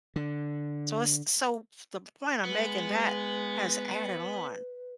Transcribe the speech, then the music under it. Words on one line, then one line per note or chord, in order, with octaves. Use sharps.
So, it's this So, the point I'm making, that has added on.
D3
G#3 B3 B4